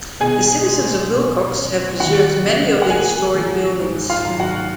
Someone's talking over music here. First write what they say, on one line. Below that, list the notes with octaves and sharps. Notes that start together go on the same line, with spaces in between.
The citizens of Willcox have preserved many of the historic buildings.
B2 G#4 G#5
G#3
B2
C#4
D#2 F#4 F#5
C#3
F#5
A#3 G#4 G#5
F3
G#2
F4 F5
F#3
F#4 F#5